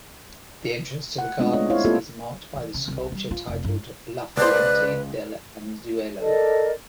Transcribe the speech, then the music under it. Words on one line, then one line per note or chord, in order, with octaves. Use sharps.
The entrance to the gardens is marked by the sculpture titled “La Fuente del Anzuelo”.
F#5
G#3 A3 B3 C4 D4 F4
C#5 D#5
E4 C5 C#5 F5
A#3 C4 F4 G4 A4
E3
C#3
C2
G3
F4
F1
G2
C#2 B4 C5 D5 F#6
A4 A#4 D5 D#5